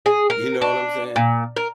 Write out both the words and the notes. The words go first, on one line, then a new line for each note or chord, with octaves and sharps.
you know what I'm saying?
G#4
A#4
D4
A#2
A#4